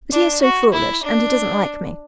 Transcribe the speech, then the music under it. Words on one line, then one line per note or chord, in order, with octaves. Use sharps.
But he is so foolish, and he doesn't like me.
D4
F#4
E4
D4